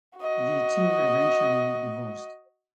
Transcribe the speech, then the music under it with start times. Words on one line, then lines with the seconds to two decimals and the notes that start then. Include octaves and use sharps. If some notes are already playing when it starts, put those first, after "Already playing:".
The two eventually divorced.
0.19 F#4 D#5